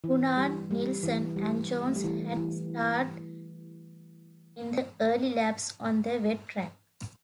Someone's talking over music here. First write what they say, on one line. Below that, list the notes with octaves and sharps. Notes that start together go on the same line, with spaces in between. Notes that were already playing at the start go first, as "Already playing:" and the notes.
Gunnar Nilsson and Jones had starred in the early laps on the wet track.
E3
G3
G3
E3
G3
A3
G3
E3
E3